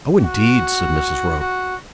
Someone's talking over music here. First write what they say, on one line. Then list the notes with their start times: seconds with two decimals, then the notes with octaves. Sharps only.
"Oh, indeed!" said Mrs. Roper.
0.20 F#4
1.40 F#4